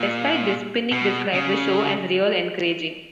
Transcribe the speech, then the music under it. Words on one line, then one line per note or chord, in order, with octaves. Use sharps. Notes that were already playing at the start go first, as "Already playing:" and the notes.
Despite this, Pinnick described the show as real encouraging.
Already playing: A#2
B2
C#3